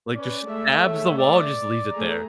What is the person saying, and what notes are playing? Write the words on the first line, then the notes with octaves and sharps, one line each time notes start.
Like, just stabs the wall and just leaves it there,
C#4 B4 D5
G#3 A3 E5
C#5
D5
A3 G#4 A#5